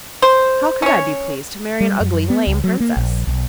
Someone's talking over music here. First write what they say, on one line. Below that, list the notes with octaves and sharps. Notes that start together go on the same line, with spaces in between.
'How could I be pleased to marry an ugly, lame Princess?'
C5
C#4 C#5
G3
F#2
B3
C#2
F#3
A#3
A#1
B1